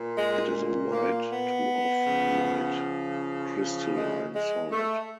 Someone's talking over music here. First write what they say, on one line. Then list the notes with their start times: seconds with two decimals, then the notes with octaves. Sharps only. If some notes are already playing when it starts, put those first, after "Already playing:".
It is a white to off-white crystalline solid.
Already playing: A#2
0.16 G#3
0.92 A#3
1.30 B3
2.06 C#3 F3
3.96 G#3
4.34 G#3
4.71 A3